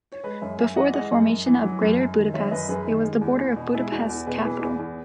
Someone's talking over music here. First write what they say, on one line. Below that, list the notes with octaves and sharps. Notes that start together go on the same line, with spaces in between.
Before the formation of Greater Budapest it was the border of Budapest Capital.
C#5
G#3 G#4 B4
F#2 C#5 E5
F#2 E5 G#5
E3 D#5 F#5
G#3 D#5 F#5
F#2
F#2
E3
F#3
F#2
F#2
D#3
F#3 C#5 E5
E5
F#2 B4 D#5
F#2 G#4 B4
D#3
G#3
E2
E2
B2
G#3 E4 G#4
E2 F#4
E2
B2 G#4 B4
E3 G#4 B4
E2
E2